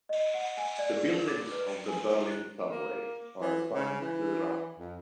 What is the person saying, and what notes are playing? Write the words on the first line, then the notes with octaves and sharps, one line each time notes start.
The buildings of the Berlin subway are assigned to the routes.
D#5
F#5
G#5
D5
G#4
A#4
D6
B4
G#5
E4
C5
A#3
E3
C#3
E3
F2